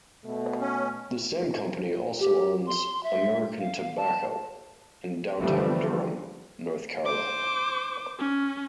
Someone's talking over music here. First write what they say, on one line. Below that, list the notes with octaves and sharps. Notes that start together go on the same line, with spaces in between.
The same company also owns American Tobacco in downtown Durham, North Carolina.
B2 A3
C#4
G4
C6
E5
F5
A5
D3 E3 F3 G3 A3
C5 D6
C#4